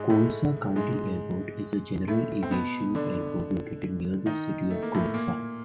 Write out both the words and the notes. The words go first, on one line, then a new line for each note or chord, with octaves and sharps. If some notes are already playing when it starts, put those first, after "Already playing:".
Colusa County Airport is a general-aviation airport located near the city of Colusa.
Already playing: G#2 G#3
A2 A3
G#2 G#3
A2 A3
C4
B2 B3
D3 D4
D#3 D#4
A3
A#3
A2 A3
A#2 A#3